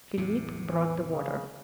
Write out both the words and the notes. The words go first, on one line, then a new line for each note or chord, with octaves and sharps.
Philip brought the water.
E2 A2 C3
E3
C#3